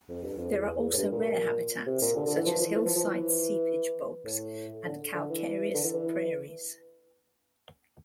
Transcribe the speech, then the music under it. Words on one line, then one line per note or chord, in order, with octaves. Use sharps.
There are also rare habitats, such as hillside seepage bogs and calcareous prairies.
F2
G2
F2
E2
E2
A2
G2
A#2
C3
A#2
D3
D3
E3
F3
E3
E3
F3
F3
E3
A2
D3
D3
E3
D3
E3
E3